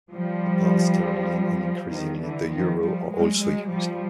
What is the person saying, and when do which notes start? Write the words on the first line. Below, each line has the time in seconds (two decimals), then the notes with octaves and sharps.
The pound sterling and increasingly the euro are also used.
0.13 F3 G3
1.91 D#3 F3
2.22 D3 E3
2.51 D#3 F3
2.81 F3 G3
3.10 F#3 G#3
3.41 F#3 G#3
3.70 F3 G3